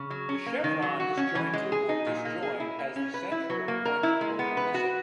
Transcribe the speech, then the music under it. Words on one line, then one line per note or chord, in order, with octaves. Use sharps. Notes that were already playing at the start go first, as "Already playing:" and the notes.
The chevron disjointed or disjoined has the central, pointed portion missing.
Already playing: C#3
F#3
C#4
A#3
D#3
F#3
F#4
C#4
E3
G#3
G#4
D#4
A#2
A#3
G#4
E4
A#3
C#4
B4
E4
F#3
A#3
A#4
E4
G#3
B3
B4
F#4